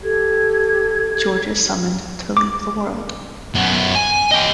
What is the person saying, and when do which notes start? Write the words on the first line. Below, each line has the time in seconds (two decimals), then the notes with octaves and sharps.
George is summoned to leave the world.
0.03 G4 A4 G#6
2.37 D6
3.55 F#2 B3
3.95 G#5
4.31 G4 D#5